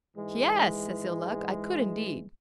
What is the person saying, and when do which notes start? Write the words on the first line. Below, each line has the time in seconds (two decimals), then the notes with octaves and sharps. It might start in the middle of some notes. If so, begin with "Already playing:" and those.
"Yes," says Ill-Luck, "I could indeed."
0.17 G#2 E3 G#3